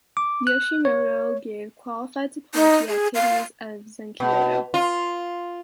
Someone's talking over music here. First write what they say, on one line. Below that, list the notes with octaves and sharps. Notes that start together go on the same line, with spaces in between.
Yoshimoto gave qualified support to the activities of Zenkyoto.
D6
F#6
C#5
D#4
G#4
F5
B2
F4